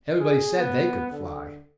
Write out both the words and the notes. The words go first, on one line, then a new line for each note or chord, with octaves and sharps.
Everybody said they could fly.
G#4
B3
D3